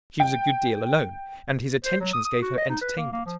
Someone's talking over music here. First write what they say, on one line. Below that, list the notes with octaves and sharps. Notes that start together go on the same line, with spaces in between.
She was a good deal alone, and his attentions gave her entertainment.
G5
C5
F#3
D#6
D#6
F#4
D#5
D#4
B4
A#3
A#3
F3